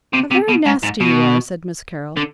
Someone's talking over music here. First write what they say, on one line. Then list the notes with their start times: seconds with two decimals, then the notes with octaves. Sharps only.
"How very nasty you are!" said Miss Carroll.
0.13 C3
0.31 C3
0.49 B2
0.66 G#2
0.83 G#2
1.00 B2
2.17 D3